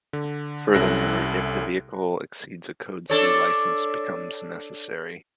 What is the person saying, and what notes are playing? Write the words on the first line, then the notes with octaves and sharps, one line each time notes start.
Furthermore, if the vehicle exceeds a code C license becomes necessary.
D3
C2 C#4 E4 A4 F#6 A#6
D4 A4 C#5